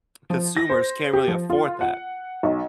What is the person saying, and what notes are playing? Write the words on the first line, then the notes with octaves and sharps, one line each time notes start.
consumers can't really afford that.
F3
A#6
C5
G4
F3
F4
F#5
B1